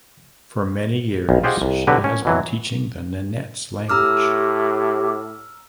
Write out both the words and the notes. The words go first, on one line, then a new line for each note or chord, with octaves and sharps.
For many years she has been teaching the Nenets language.
B1
F4 G4 G#4 C5 D#5 F#5
C2
D3 F#3 F#4 G4 B4
C#4
B2 E3 F#3
A2 G4 A#5 E6 F6